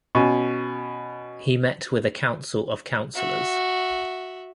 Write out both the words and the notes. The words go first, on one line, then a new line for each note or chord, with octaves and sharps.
He met with a council of councilors.
B2 C#4
F#4 E5